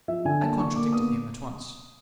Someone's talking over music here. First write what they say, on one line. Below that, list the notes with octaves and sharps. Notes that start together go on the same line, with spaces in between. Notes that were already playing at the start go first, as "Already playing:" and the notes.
I contradicted him at once.
F3 E5
D3 G#5
A#3 A5
D3 C#6
A#3 D6
B3 D#6